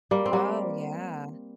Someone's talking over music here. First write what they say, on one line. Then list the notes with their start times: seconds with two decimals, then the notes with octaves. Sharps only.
Oh, yeah.
0.11 G3 A#3
0.26 C4
0.33 G3 A#3